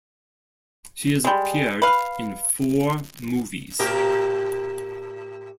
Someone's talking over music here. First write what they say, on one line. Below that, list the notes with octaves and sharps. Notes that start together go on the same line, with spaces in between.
She has appeared in four movies.
G3 G#3
B4 F5
A2 G4 A#4